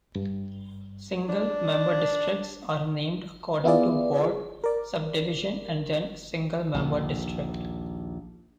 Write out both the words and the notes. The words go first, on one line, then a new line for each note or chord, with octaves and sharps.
Single Member Districts are named according to Ward, Subdivision, and then Single Member District.
G2
D4
B3 E4 F4 G#4 D5
A#4 D5
A#1 D#2